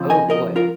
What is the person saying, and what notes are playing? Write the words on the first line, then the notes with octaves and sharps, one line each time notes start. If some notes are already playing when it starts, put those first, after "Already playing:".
Oh boy.
Already playing: F2 C#3 F3
D#5 G#5
A#4 D#5
F4 A#4